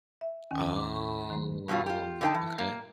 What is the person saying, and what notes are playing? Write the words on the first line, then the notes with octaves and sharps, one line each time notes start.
Oh, okay.
E5
D#2 D#3 C#4 G#5
D6
C#6
D#3 F#3 A3
G2 B2 F#3 G3 F4
F4 G4
D3 D#4 F4 C5 G5 A5
E3
A#3